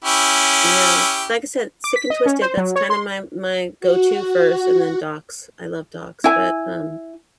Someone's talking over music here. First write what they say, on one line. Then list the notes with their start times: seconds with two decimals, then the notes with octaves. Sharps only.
Yeah. It's like I said, Sick and Twisted, that's kinda my my go to first, and then docs. I love docs, but, um,
0.04 C#4 E4 G4
1.84 D6
1.96 B6
2.10 D#5
2.26 C#4
2.42 C5
2.57 F#3
2.76 C#5
2.90 C6
3.80 F#4
6.24 E4 G#5